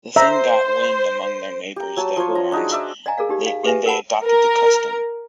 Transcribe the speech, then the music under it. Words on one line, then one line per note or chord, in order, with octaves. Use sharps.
The thing got wind among their neighbors the Hurons, and they adopted the custom.
C5 E5 A#5
G4 A#5
F#3 G#5 A5
F3 C5 C#5
A#5
D4 D#4 F#4 G#4
D5 E5 A#5
D5 D#5 F5 G#5 A#5
G#4 A#4 D5 F5
D#4 G4 D5
D5 F5
G4 G#4 B4 E5 G#5
A#4 F#5 A5 B5
A#4